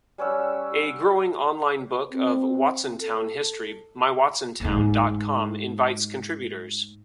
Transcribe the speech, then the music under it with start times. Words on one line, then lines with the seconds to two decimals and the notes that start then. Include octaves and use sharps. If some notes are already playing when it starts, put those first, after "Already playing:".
A growing online book of Watsontown history MyWatsontown dot com invites contributors.
0.18 G3 C#4 F#5 E6
2.12 C4
3.01 A4
4.60 G#2 A3